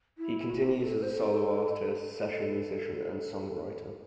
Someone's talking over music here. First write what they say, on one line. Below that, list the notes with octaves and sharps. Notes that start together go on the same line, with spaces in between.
He continues as a solo artist, session musician and songwriter.
E4
F#4
A4
C5
A4
A4